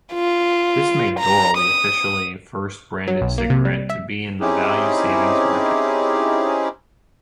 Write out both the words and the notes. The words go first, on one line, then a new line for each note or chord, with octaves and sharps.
This made Doral the officially first branded cigarette to be in the value-savings market.
F4
A#5
D#6
F#3
B1
A#3
C3
G3
E5
C4 C#4 D#4 E4 G4 G#4